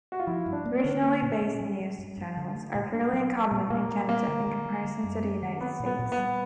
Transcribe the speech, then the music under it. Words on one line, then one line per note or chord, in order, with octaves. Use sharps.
Regionally-based news channels are fairly uncommon in Canada in comparison to the United States.
F#4
F4
F3 E4
G2
D4
A#3
C#4
D3
A#3
A#2
C#4
G3
F#3
G2
G2
D3
A3
A#2
D4
F#3
C4
A#2
A#2 A#3
G3
A#3 C4
D3
D3
G3
G3
F#2
C4
D#3
B3 C4
A#2
B3
A#2
B3
G3